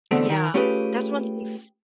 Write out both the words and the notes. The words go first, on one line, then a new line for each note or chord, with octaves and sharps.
Yeah, that's one of these
E2 B2 D3 A3 C4
D#3 A#4
A3 C#4 F4 G4 G#4 B4